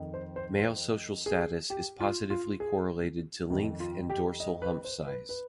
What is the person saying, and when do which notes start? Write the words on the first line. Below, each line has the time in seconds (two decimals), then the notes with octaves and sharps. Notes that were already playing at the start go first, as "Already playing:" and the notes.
Male social status is positively correlated to length and dorsal hump size.
Already playing: F2 D#3
0.14 C5
0.36 C5
0.59 C5
1.26 G#4
1.70 G4
2.01 F4
2.30 F4
2.60 G#4
3.50 F2 D#3
3.80 F4
4.10 G4
4.40 D#5
4.62 B4
4.85 C5
5.07 B4
5.29 B4